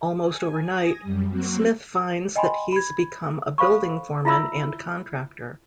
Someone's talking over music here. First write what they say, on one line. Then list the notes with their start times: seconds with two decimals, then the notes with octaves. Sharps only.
Almost overnight, Smith finds that he's become a building foreman and contractor.
0.24 G#5
0.69 G#5 D#6 A#6
1.01 F#2 G3
1.30 F#3 A#3 C4 F#4
2.36 D#5 G5 G#5 B5 C6
2.72 B5 G#6
3.58 A4 C5 F5 B5 C#6
4.25 E4 F4 E5 B5 E6